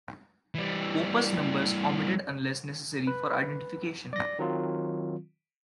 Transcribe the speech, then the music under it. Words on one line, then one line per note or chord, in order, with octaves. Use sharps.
Opus numbers omitted unless necessary for identification.
E3 G3
B4
D5 A#6
D#3 F#3 C4 F4